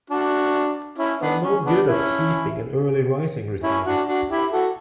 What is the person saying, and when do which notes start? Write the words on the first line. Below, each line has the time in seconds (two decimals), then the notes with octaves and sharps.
I'm no good at keeping an early rising routine.
0.10 D4 F#4
0.98 C#4 E4
1.20 B3 D4
1.43 C#4
1.65 B3 D4
1.87 C#4 E4
3.63 C#4 E4
3.86 D4 F#4
4.07 D4 F#4
4.30 E4 G4
4.52 F#4 A4